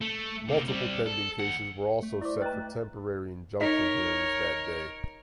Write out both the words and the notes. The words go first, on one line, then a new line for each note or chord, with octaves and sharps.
Multiple pending cases were also set for temporary injunction hearings that day.
A3
C3 A#3
G3 C4
A4
D#2 F#5
A3
E4 C5 D5 D6
B4 D#5 G5 A#5 F#6 A6
D#4 A#4 C#5 B6